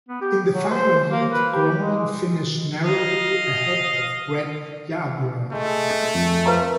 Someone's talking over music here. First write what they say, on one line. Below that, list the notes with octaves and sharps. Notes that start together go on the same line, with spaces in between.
In the final heat, Gronen finished narrowly ahead of Bret Yarborough.
B3
G4
F#3
C5
A#3
B4
G4
G#3
D#5 F5
G#3 A3
F2
F3 A#4 B4 A#5